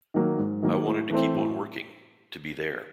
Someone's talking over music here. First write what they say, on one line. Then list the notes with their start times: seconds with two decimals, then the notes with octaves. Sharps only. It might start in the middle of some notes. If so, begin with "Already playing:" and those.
I wanted to keep on working, to be there.
0.14 D#3 F#3 A#3
0.38 G#2
0.62 D#3 F#3 A#3
0.86 A2
1.10 E3 A3 C4
1.34 A2